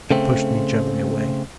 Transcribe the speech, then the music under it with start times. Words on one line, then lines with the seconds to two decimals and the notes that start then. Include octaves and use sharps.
She pushed me gently away.
0.11 C#3 A3 C4